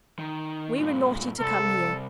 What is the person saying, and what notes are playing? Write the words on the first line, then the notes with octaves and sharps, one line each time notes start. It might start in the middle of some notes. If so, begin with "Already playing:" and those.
We were naughty to come here.
D#3
G2 A#2
C2 A4